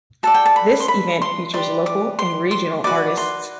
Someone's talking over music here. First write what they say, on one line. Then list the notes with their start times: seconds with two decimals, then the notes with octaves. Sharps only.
This event features local and regional artists.
0.23 F#4 A4 D5 A5
0.34 G5
0.46 A5
0.56 B5
0.80 C6
0.88 B5
1.22 C6
1.54 G4 B4 D5 C6
1.86 D6
2.19 C6
2.51 C6
2.84 F#4 B4 D5 D6
3.17 C6